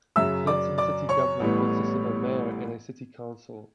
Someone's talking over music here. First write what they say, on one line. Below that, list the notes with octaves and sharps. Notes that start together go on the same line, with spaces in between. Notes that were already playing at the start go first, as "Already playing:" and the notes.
Clinton city government consists of a mayor and a city council.
F#2 C#3 F#3 E5 E6
D5 D6
D5 D6
C#5 C#6
A1 A2 G3 B3